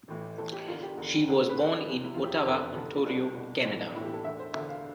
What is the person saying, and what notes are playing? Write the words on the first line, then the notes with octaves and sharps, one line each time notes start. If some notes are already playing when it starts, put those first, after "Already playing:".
She was born in Ottawa, Ontario, Canada.
A1 A2 E3
A1 A2 E3 A4
G4
E1 E2 D3 F4
G4
E1 E2 D3
D2 D3
B4
D2 D3 C5
F1 E2 C3
E4
F1 E2 C3 F4
G4
A4
F1 E2 D3 B4
B4
F1 E2 D3 A4
F4
C2 B2 D4
C2 B2
B1 A2 E3
D4
B1 A2 E3 E4
G4
A4
E1 D2 D3 E5
C5
E1 D2 D3 E5
F5